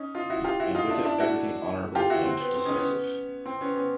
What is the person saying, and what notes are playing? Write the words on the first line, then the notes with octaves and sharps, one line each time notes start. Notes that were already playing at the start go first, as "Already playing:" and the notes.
And with it, everything honourable and decisive.
Already playing: C#4 D#4
D#4 F4
E4 F#4
F4 G4
E4 F#4
D#4 F4
D4 E4
D4 E4
E4 F#4
F4 G4
E4 F#4
C4
B3
C4
C#4 D#4
B3 C#4
C4
B3 C#4
B3 C#4